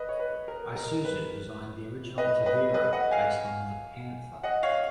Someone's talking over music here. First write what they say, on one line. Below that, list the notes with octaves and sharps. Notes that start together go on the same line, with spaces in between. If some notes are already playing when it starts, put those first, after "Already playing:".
Isuzu designed the original Tavera, based on the "Panther".
Already playing: B4 D#5
C#5
B4
A#4
A#4
B4
B4 D#5
B4 D#5
B4 D#5
D#5 F#5
F5 G#5
D#5 F#5
C#5 F5